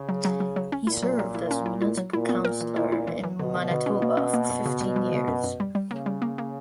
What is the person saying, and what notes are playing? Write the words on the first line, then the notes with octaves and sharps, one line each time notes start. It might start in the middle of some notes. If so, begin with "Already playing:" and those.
He served as a municipal councillor in Manitoba for fifteen years.
Already playing: C#3
F#3
F#3
F#3
F#3
C#4
A#2 E4
F#3
F#3
E4
C#4
E4
E4
F#3
A#2 E4
B3
A#4
E3
E4
E4
E3
E3
B2 D3
D3
D3
C#4
A#3
C#4
A#3
F#2
C#3
G3
G3
C#3
F#2
F#2
G3
G3
C#3 A#3
G3
A#3
A#3